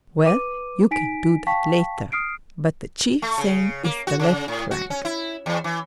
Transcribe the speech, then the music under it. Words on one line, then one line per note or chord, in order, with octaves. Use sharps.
"Well, you can do that later, but the chief thing is the left flank."
B4 D6 D#7
D#4 G#5 B6 D7
F5 G5 A5 C#6 B6
D#6 F6 C7 D7
A3
C#3
A#3
F#4
C#3
A2
F#4
C#4
E4
E2
E3